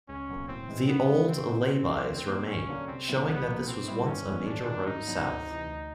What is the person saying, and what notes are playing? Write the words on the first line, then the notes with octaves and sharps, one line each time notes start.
The old lay-bys remain, showing that this was once a major route south.
C#2 C#4
B2 F#3 A#3
A2 C4
E3 G#3 C#4
C#3 B3
F3 G#3
C#3 C4
F#3 B3 D#4 F#4
C#3
F3 A#3 C#4 F#4
D#2
D3 F#3 A#3
F#2 C#4
D3 F#3 A#3 D4
C2 C4
A#2 F#3 B3 E4
C2 B3
A#2 F3 A#3
B2 C4
G3 B3 E4
G2 C#4
E3 G#3 B3 E4
D#2 D4
D#3 G#3
G#2 D#4
D#3 F#3 B3 D4
D2
C3 E3
D2